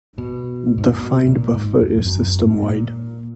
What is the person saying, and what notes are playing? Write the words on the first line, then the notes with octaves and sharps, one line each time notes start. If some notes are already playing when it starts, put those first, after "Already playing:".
The find buffer is system wide.
B2
G#2
A#2
B2
A#2
G#2
F2
F2
F#2
F#2
G#2
A#2